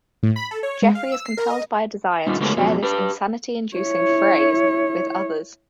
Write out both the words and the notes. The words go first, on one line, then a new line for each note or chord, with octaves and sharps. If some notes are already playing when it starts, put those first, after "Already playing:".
Jeffrey is compelled by a desire to share this insanity-inducing phrase with others.
A2
B5
A4
C#5
G#3
F5
E6
C7
A#4
D#5
A#2 G3 D#4 F4
C#3 G#3 A3 B3 G4 A#4
F2 B2 F#3
G4 B4
E4 C#5